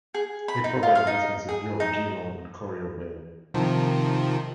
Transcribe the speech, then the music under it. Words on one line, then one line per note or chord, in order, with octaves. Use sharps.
It provides an expansive view of Geelong and Corio Bay.
G#4
B5
D#4
F4
F5
D#4
G#4
D#4
C3 D#3 F3